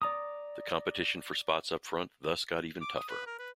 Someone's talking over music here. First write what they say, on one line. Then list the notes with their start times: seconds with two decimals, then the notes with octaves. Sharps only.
The competition for spots up front thus got even tougher.
0.02 D5 A#5 D#6
2.81 D6
2.95 D#6
3.09 B4
3.27 A#4
3.39 B4